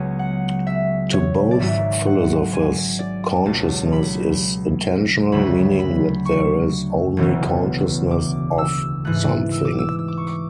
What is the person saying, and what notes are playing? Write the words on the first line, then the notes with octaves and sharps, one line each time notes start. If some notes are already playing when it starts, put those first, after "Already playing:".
To both philosophers, consciousness is intentional, meaning that there is only consciousness "of" something.
Already playing: C#2 C#3 F#3 B3 G#5
F#5
E5
C#5
D5
G#1 G#2 F#3 E5
F#5
G#5
D5
C#2 B2 F#3 A5
B5
D2 C#3 F#3 B5
B5
C#6
E1 D2 C#3 E3 B3
D6
E6
G#2 E3 A3 F#6
E6
D6
E6
E6
D6
C#6
D6